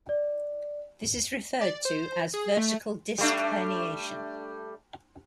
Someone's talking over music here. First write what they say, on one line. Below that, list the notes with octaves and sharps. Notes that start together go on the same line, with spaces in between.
This is referred to as "vertical disc herniation".
D5
D5
C5
G#4
A3
G3 A3 D4